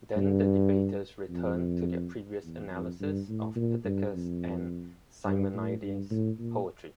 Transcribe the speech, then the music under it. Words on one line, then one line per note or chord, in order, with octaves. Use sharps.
Then the debaters return to their previous analysis of Pittacus' and Simonides' poetry.
G2
F2
E2
F2
G2
A2
A#2
G2
F2
G2
A2
G2
A2
A#2